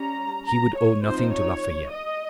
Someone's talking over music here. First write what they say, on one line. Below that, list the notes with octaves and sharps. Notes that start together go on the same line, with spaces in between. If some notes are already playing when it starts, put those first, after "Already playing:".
He would owe nothing to Lafayette.
Already playing: G3 C#4 A#5
A#5
C#5
F3 C4 D#4 C5
C#5
D#5